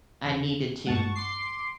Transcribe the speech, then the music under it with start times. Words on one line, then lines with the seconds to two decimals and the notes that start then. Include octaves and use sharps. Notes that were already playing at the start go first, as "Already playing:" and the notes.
I needed to
0.24 E2 C3
0.87 G2 G#3 F#5 A5 C#6
1.15 C6 D6 C7